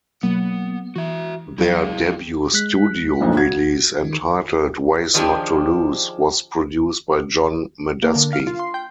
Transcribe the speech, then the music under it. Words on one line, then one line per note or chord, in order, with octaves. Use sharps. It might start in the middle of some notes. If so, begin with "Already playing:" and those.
Their debut studio release, entitled "Ways Not to Lose", was produced by John Medeski.
B2 F#3 A#3 B3
E3 F#4 E5
F#3 E4 G#4 F5
G#3 F#6 B6
B1 F2 A#2
F#4 G#6
D#3
D#3 F3 D4 G4 G#4
A#3
D3
F5
F4
C6
G5